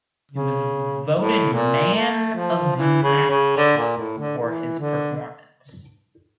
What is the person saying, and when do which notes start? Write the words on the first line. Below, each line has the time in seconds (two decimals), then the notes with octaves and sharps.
He was voted man of the match for his performance.
0.32 C#3
1.13 A2
1.54 A#2
1.94 A3
2.35 F3
2.76 E3
3.03 C#3
3.30 C#3
3.57 D3
3.77 A#2
3.98 A2
4.18 D3
4.38 E3
4.79 D3